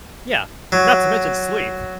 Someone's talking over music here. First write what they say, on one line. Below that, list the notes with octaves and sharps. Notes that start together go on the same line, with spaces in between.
Yeah, not to mention sleep.
F#3